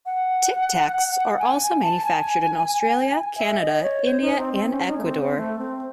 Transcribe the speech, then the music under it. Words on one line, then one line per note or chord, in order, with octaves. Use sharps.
Tic Tacs are also manufactured in Australia, Canada, India and Ecuador.
F#5
G#5
A5
G#5
E5
D#5
C#5
C5
D#4
C4
C4
C#4
D#4
A3
C4
C4
A3
C4